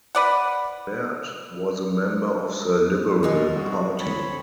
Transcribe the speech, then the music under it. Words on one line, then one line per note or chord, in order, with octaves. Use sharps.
Baird was a member of the Liberal Party.
B4 D5 F#5
B2 D4 D#4 G#4
C2 G3 F#4 D#6
C4 A4 C#5 B5